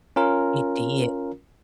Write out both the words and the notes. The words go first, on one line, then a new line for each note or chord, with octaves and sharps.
It did.
C#4 F4 A#4